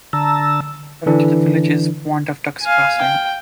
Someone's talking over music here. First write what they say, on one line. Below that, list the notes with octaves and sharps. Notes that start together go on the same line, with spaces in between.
Traffic through the village is warned of "ducks crossing".
D3 A5 A#5 E6
D3 E3 D4
F5 G#5
G5